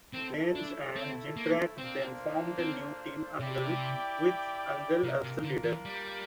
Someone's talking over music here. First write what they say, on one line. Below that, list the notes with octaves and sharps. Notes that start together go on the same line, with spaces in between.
Reigns and Jindrak then formed a new Team Angle with Angle as the leader.
A3 C4 E4 A4
D4
C4
A#3
A#3 C4 D4 F4 A4 C5
C4
C3 E4 G4 D5 G5
C3 A#3 D4 F4 A#4
C3
D3
E3
G3